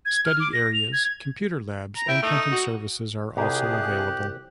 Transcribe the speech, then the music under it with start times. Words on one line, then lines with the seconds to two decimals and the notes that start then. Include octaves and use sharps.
Study areas, computer labs, and printing services are also available.
0.05 G#6
0.25 F6
0.40 D6
0.53 A#6
0.73 F7
0.92 G#6
1.96 A#5
2.08 E4 G5
2.23 A3 D#4
2.52 F#4
3.37 C2 C3 F3 G4 G#4 A#5 F#6